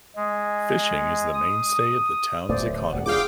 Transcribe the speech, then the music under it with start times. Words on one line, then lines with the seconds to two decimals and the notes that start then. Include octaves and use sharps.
Fishing is the mainstay of the town's economy.
0.16 G#3
1.34 D#6
2.49 D1 A3 C5 D5
2.93 D#1 G4 D5 F#5
3.06 D4 F4 G#4 F5 G5 D6